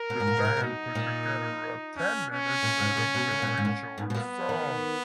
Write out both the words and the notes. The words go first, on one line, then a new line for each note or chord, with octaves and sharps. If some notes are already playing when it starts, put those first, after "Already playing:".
The band put together a ten-minute set of very short songs.
Already playing: A#4
B2
G#2
A#2
G#2
A#2
C#3
B2 D#4
A#2
C#4
C#4
A#2
G#2
A#2
B2
C#3
B2
A#2
G#2
A#2
G#2 B3
B2
A#2
D#3